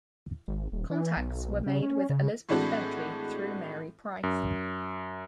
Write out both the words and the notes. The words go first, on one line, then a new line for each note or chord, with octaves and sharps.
Contacts were made with Elizabeth Bentley through Mary Price.
G#1
D#1
E3
B1
C#3
C#4
C#3
A2 E3 G#3 C4 D4 F#4
F#2